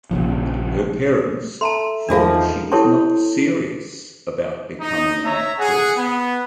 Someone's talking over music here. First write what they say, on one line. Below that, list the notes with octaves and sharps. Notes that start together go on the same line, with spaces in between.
Her parents thought that she was not serious about becoming an actress.
A#1 C#3 F3
A4 E5 A5 A#5 C6
E2 D#3 F3 D4 D#4 F#4 A#4 F5
E4 G4 A4 C#5 A5 C6
D#4
C#5 E5 A#5
G#4 F#5
B3